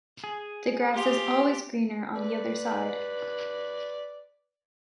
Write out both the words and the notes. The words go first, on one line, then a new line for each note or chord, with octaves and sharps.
The grass is always greener on the other side.
G#4
F4 G4
B4 D5